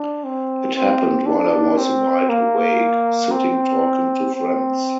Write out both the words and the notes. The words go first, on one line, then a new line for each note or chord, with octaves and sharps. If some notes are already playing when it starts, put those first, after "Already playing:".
It happened while I was wide awake, sitting talking to friends.
Already playing: D4
C4
C4
D4
C4
A#3
C4
C4